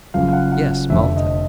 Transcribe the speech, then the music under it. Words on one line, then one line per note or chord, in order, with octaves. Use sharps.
"Yes; Malta."
F#1 F#2 C#3 F3 F5
F5
F#5
F#5
F#5
F1 F2 D3 E5
D#5